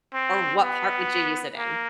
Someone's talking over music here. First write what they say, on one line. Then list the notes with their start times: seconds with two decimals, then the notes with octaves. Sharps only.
Or what part would you use it in?
0.14 C4
0.62 B3
1.57 A#3